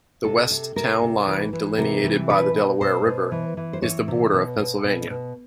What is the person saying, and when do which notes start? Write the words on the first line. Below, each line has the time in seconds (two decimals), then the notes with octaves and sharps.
The west town line, delineated by the Delaware River, is the border of Pennsylvania.
0.24 C3 A4
0.51 C3
0.76 C3 A#4
1.02 C3
1.27 E3
1.53 E3
1.78 C3 A#4
2.04 E3
2.29 B2 B4
2.54 B2
2.81 B2 C5
3.06 B2
3.32 E3
3.57 E3
3.73 C5
3.82 E3 C#5
4.08 C3
4.33 B2
4.59 B2
4.84 B2
5.10 B2